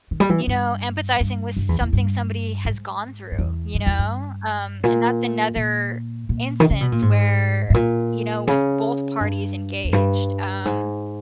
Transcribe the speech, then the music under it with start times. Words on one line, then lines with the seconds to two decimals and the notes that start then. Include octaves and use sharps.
you know, empathizing with something somebody has gone through, you know, um, and that's another instance where, you know, with both parties engaged, um,
0.11 D#3
0.20 G3
0.29 E3
0.47 G2
1.20 G2
1.57 G2
1.69 E2
1.81 E2
1.93 G2
2.65 G#2
3.32 G2
3.39 E2
3.74 G2
3.86 E2
3.99 G2
4.83 A#2
5.56 A#2
6.29 A#2
6.60 D#3
6.71 C#3
6.81 B2
6.92 A#2
7.02 G#2
7.70 G#2
7.74 A#2
8.47 C#3
9.21 G2
9.84 E2
9.93 G2
10.65 G#2